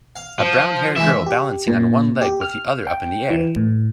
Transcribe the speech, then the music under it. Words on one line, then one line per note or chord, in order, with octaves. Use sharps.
A brownhaired girl balancing on one leg with the other up in the air.
F5
F3
E3 G#3 E5
G4
A#2
G4
F6
G5
E3
A2